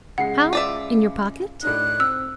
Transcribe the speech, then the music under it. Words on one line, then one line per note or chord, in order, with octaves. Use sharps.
"How--in your pocket?"
C#2 G#3 F#5 C7
F4 D5 E5
A2 D4 D#4 F#6
C4 E6